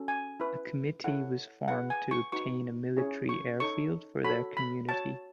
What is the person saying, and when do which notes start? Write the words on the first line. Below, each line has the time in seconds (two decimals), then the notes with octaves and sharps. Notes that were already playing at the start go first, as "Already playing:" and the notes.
A committee was formed to obtain a military airfield for their community.
Already playing: C#4 F#4 A4
0.08 G#5
0.40 E4 B4
1.04 E4 A4 C#5 F#5
1.68 E4 G#4 B4 F#5
1.90 G#5
2.11 C#6
2.32 D#4 F#4 B4 C#6
2.97 C#4 E4 G#4 C#5
3.29 C#6
3.60 D#4 A4 C#5 C#6
4.24 F#4 A4 C#5 B5
4.57 B5
4.88 F#4 C#5 A5